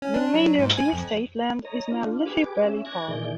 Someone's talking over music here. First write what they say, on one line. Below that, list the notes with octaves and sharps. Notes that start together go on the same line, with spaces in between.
The remainder of the estate land is now Liffey Valley Park.
C#4
D4
F#3
G#2
G#5
F2
C#5 D#5 A#5
D4 F4
G4 G#4 B4 D6
C#4 E5
C#6 D6 F#6 G#6 A#6
A#2 D#3 E3 G#4 D5 G6